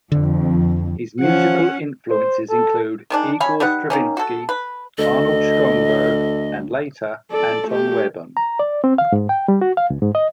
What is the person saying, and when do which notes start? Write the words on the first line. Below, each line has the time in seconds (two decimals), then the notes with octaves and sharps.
His musical influences include Igor Stravinsky, Arnold Schoenberg, and later Anton Webern.
0.12 F2 D3
1.20 F3 C#4 F#5
2.10 C5
2.50 A4
3.10 D#3 G#3 D4
3.40 C#4 C#5 G#5 B5
3.60 G3 D#4 B4 F#5
3.90 D#3 A#3 C#4
4.17 F#4 A4
4.49 B4
4.99 D2 A4 D#5
7.31 A4 D5
7.68 A3 G4
8.37 A#5
8.59 D5
8.84 C4
8.98 F5
9.12 G#2
9.29 G5
9.48 G3
9.61 F#4
9.77 F5
9.90 C#2
10.02 G#2
10.15 D#5